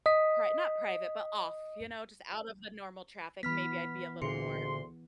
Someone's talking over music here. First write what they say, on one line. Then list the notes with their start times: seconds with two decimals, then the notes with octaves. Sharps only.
pri not private, but, off, you know, just out of the normal traffic, maybe I'd be a little more
0.06 D#5 D#6 B6
3.43 E3 B3 B5 F6 B6
4.22 D2 A#2 D3 G#4 C6 C#7